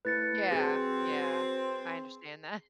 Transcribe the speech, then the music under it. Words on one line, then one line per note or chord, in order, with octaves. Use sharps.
Yeah, yeah. I understand that.
A2 B4 A6 C#7
F#3 C4 G#4